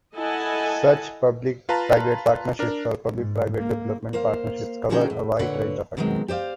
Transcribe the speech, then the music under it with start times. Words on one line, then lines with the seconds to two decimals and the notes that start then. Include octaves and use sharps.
Such public-private partnerships or public-private development partnerships cover a wide range of activities.
0.14 E4 A4 D#5 F#5 G#5 A5
1.69 F4 B4 F5 A5 A#5
2.59 D4 A#4
3.16 G#2
3.57 A#3
4.13 A#3 C5 F5
4.90 D3 C#4 D#4 F#4 G#4 G5
5.10 A2
5.39 A#2 D3 B4 C#5 F#5
5.97 B2 D3 D#3 F#3 G#3 C4
6.28 G4 C5 D5 F5